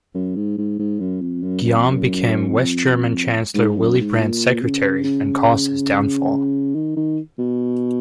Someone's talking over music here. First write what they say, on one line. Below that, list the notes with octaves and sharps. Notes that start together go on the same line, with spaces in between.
Guillaume became West German chancellor Willy Brandt's secretary and caused his downfall.
F#2
G#2
G#2
G#2
F#2
F2
F#2
F#2
F2
F#2
F2
G#2
F#2
G#2
A#2
C#3
C#3
D#3
D#3
B2